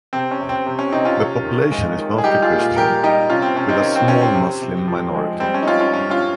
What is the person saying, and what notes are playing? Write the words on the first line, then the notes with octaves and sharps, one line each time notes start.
The population is mostly Christian with a small Muslim minority.
C3 C4
C#4
C3
C4
C3
C#4
C3 C4 D#4
C#4 F4
C3
D#3
G#3
D#3
G#4
G3 D#4 G4
F4 G#4
A#2
F4 G#4
G3 G4 A#4
G3 D#4 G4
C3 C#4 F4
C4
C3 C#4
C4 D#4
D#3 C#4
C4
C3 C#4
C4
C3
C3
F3
G#3
G3 C4
C#4
D#4
G3 C#4 F4
C#4 F4
G2 C#4
C#4 F4